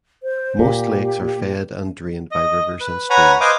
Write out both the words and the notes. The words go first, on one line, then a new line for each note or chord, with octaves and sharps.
Most lakes are fed and drained by rivers and streams.
C5
A#2 G4
D#5
B4
B4 C#5 F#5 G#5 A#5 B5
B4 C5 D#5 F5 G#5 D6